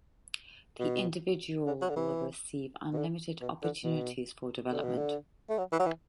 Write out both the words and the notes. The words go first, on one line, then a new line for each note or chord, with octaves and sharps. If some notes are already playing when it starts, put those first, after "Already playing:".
The individual will receive unlimited opportunities for development.
B2
D3
F#3
D3
E3
B2
D3
B2
D3
B2
D3
B2
D3
A3
F#3
E3
F#3
E3